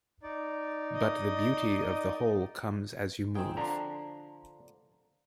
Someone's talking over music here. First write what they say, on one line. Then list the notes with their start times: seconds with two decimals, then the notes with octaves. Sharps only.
But the beauty of the whole comes as you move.
0.23 D#4 D5
0.95 D#5
3.35 C4 D#4 G#4 G5
3.57 D3 F3 D4 A#5 C6